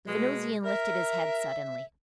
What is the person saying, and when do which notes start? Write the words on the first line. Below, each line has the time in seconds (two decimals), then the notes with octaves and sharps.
The Venusian lifted his head suddenly.
0.08 B2 G#3
0.65 A#4 E5